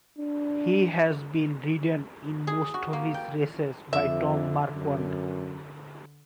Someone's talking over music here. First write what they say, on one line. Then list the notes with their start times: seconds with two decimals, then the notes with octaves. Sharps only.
He has been ridden in most of his races by Tom Marquand.
0.18 D4
2.47 G#4
2.74 F#4
2.93 A#3
3.14 G5
3.93 F2 D3 E5
4.73 F#2